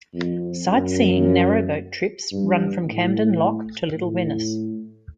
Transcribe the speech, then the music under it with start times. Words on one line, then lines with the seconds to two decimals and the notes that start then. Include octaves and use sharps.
Sightseeing narrow-boat trips run from Camden Lock to Little Venice.
0.14 F2
0.68 F#2
2.32 G2
2.87 A2
3.96 A2